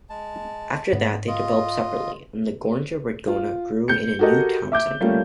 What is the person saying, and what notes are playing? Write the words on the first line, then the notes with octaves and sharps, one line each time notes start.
After that they developed separately, and Gornja Radgona grew into a new town centre.
G#3 A5
G#2 B3
F4 D#5
F4
G6 C#7
F#4 G4 A4 A#4 D#5
E5 D6 G6
G3 A3 A#3 C#4 F4 A4